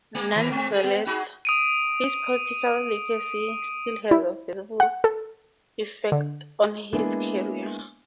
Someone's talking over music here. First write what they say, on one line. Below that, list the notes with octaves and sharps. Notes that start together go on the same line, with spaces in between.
Nonetheless, his political legacy still has a visible effect on his career.
A3
D#3 A#4
G#3 C4
G#3 G#4
B3
D#4 F#4 G#4
D#6 D7 D#7
E4
F#5
A4
D3
G#3 A#3 B3 D4 E4 G#4